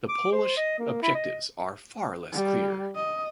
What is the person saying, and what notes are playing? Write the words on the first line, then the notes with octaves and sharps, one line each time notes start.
The Polish objectives are far less clear.
D6
C5
D#5
A#3
E4
D#5
G3
D#5